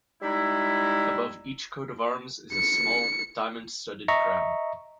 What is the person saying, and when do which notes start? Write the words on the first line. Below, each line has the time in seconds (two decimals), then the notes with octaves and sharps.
Above each coat of arms is a small diamond-studded crown.
0.22 G3 G#3 D#4 E4
2.53 C#7
4.08 D#5 E5 A#5 C#6